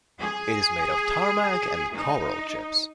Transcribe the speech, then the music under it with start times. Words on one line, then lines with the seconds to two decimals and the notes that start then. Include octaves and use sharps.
It is made of tarmac and coral chips.
0.20 G#4
1.95 D#4